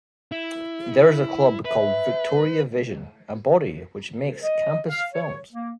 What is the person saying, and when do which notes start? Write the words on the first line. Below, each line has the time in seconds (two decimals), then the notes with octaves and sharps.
There is a club called "Victoria Vision" a body which makes campus films.
0.32 E4
1.65 B4 E5
4.43 D#5
4.89 F5
5.14 C#5
5.52 A#3